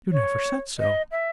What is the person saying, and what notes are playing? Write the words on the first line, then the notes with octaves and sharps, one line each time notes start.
"You never said so."
C#5
D#5
E5